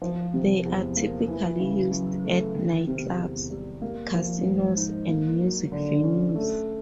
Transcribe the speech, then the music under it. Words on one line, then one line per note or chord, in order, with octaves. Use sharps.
They are typically used at nightclubs, casinos and music venues.
F3
C3
E2
A#3
E3
C#3
F#2
A3
D#3
C3
E2
G3
A#3
F3
G#2
D#4
A#3
F#3
D3
C#4
A3